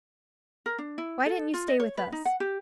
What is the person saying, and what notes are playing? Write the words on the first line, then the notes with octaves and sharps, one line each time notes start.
Why didn't you stay with us?
A#4
D4
E4
A4
F4
D#5
C#5
B4
D#4
F#5
G4